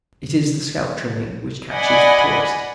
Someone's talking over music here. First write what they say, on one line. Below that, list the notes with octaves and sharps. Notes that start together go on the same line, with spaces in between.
It is the scalp trimming which catches the tourist.
D5 D#5 F#5 G#5 B5